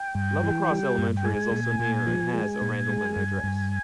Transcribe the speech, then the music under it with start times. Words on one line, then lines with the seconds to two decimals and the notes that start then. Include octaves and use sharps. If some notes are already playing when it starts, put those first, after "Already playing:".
Level Cross Elementary is also near and has a Randleman address.
Already playing: G5
0.15 G2
0.43 E3
0.70 G3
0.98 G2
1.17 G5
1.24 G#3 G#5
1.51 A#2
1.80 A#2
2.07 F3
2.33 G#3
2.61 A#2
2.89 G#3
3.16 G2
3.44 G2